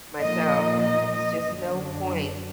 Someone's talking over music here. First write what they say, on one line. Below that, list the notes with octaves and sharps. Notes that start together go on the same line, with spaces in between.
myself, and it's just no point.
A#2 F3 A#3 D#4 D#5
D#5
D#5
F#2 D3 F#3 D4